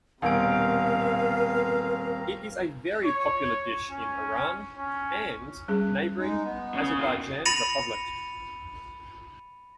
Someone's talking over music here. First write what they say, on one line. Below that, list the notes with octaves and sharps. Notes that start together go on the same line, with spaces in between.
It is a very popular dish in Iran and neighboring Azerbaijan Republic.
D#1 B2 B3 C4 A#4 F5 A#5 D7
C#5
C#4
C#4
G3 C#4 G#4
G#3 D#4
B3
C#3
B2 D#3 F4
B5 A6 A#6 C#7 D#7 F7